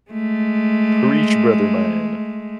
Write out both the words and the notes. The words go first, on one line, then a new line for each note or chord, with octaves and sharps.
preach, brother man.
G#3 A3